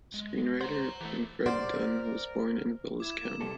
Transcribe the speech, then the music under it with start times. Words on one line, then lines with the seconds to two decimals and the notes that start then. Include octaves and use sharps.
Screenwriter Winifred Dunn was born in Vilas County.
0.14 G#3
0.61 C5 F#5 A#5
1.01 E3 A3 G4 A4
1.46 A#4 C5 D5 F#5
3.00 E4 D6 G#6 E7
3.20 A#3
3.41 C3 G3 A4 A5